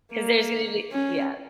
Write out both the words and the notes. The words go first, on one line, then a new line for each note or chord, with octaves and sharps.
'Cause there's gonna be Yeah.
A#3
C#4